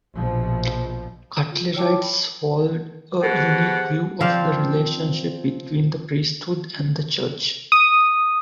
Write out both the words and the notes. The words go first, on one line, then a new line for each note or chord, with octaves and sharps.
Cutlerites hold a unique view of the relationship between the priesthood and the church.
A#1 B2 F3
F4
E4 F4 C#5 G5 A5 D6
B5
B2 G4 G#4 C5 F#5
F3 C4 D5 F5
D#6